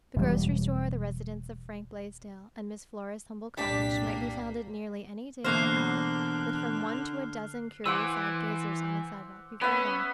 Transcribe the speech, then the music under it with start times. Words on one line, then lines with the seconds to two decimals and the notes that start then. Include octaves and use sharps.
The grocery store, the residence of Frank Blaisdell, and Miss Flora's humble cottage might be found at nearly any daylight hour with from one to a dozen curious-eyed gazers on the sidewalk before them.
0.17 E1 G3
3.57 C2 F#2 A#2 G3 D4 B6
4.04 A#3
5.44 E2 B2 D3 A#3 C5 F6 F#6 C7
7.86 E3 C5 F#5 D6 E6
9.61 B3 C#4 E5